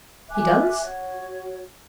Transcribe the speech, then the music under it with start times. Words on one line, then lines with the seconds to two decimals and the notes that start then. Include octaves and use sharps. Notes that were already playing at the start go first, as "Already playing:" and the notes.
"He does?"
0.30 E5 G#5 D6 F#6
0.82 F#4 C#5